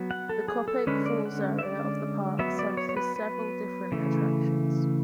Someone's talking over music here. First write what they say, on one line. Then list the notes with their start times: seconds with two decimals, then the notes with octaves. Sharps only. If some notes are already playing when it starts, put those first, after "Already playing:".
The Copake Falls Area of the park services several different attractions.
Already playing: F#3 B3
0.11 F#5
0.29 A4
0.48 G#4
0.68 A4
0.87 D3 G#3 C#4 B4
1.06 D5
1.26 F#5
1.59 E5
1.63 D5
2.39 F#3 B3 E5
2.59 D5
2.77 C#5
2.89 C#5
2.97 B4
3.16 B4
3.92 C#3 E3 A3